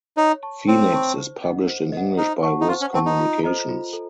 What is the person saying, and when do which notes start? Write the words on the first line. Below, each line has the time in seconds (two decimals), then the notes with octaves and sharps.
Phoenix is published in English by Viz Communications.
0.17 D#4 C#5
0.43 A5 C#6
0.68 C4 C#5
0.93 A5 C#6
1.18 C5
1.43 D#5 F#5
1.68 C5
1.92 D#5 F#5
2.18 D#4 C5
2.43 F#5 A5 C#6
2.61 D#4
2.68 F4 C5
2.81 C#4
2.93 C4 F#5 A5 C#6
3.06 D#4
3.19 F4
3.43 A4 C5 D#5 A#5
3.69 F4
3.93 A4